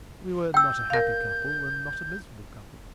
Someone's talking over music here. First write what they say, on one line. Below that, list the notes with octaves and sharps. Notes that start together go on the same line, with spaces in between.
We were not a happy couple, and not a miserable couple.
G5 E6 G6
A#4 F5